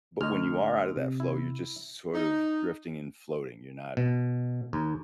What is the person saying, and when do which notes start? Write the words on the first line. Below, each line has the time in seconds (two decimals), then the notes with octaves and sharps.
but when you are outta that flow, you're just sort of drifting and floating, you're not
0.21 D2 D#5 F6
0.97 C3
1.20 E4
2.13 D#4
3.97 B2
4.73 D#2